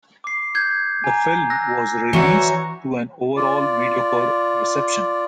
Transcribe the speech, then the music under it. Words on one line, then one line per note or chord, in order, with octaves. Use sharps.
The film was released to an overall mediocre reception.
D6 C7
G6 G#6
G#5 A#5
E6 F#6 A#6
E3 F#4 C#5 A#5 C#6 C#7
F4 D5